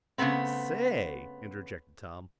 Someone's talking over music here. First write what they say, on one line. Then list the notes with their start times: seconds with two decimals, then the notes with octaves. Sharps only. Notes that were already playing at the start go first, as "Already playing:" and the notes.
"Say," interjected Tom.
0.18 C#3 E3 A3 B3 C4